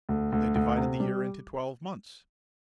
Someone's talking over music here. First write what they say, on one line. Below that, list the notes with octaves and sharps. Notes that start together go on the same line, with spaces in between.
They divided the year into twelve months.
D2
D2
D2
C3
G3